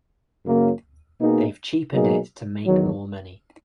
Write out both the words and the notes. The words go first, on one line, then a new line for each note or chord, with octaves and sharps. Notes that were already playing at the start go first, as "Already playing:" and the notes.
They've cheapened it to make more money.
F#2 C#3 F#3 A#3
B2 A#3 D#4 G#4
B2 F#3 A#3 D#4 G#4
E2 D#3 F#3